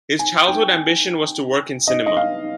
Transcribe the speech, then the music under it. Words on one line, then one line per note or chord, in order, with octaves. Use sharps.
His childhood ambition was to work in cinema.
G#5
G5
D#5
D#5
F5